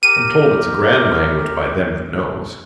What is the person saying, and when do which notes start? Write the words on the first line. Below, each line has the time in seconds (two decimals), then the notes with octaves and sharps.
I'm told it's a grand language by them that knows.
0.03 G4 A#4 D#7